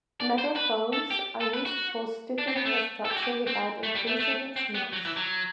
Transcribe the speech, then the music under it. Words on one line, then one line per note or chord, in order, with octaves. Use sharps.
Metal foams are used for stiffening a structure without increasing its mass.
D5
C5
B4
A4
G4
A4
B4
F#4
D4
C4
B3
A3
A4
G4
F#4
G4
C4
A3
G3
A3
A3
C4
B3
F#3
E3
F#3